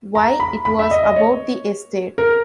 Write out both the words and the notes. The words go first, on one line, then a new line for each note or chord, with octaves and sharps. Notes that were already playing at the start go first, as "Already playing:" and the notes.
Why, it was about the estate.
A#5
B5
B5
E5
D#5
D#5
C#5
A#4